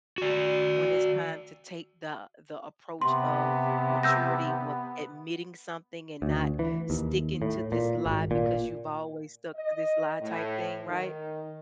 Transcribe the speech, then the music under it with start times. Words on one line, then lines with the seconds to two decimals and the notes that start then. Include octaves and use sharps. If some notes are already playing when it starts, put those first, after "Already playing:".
when it's time to take the the approach of maturity with admitting something and not sticking to this lie because you've always stuck to this lie type thing, right?
0.18 F#4 D5
3.01 C3 B3 C6
4.03 E6 G6 A#6
6.22 D2
6.59 E3
6.90 D#2
7.42 A2
7.72 A#2
8.06 G#1
8.31 A#2
9.56 D#5
10.21 A2
10.86 D#3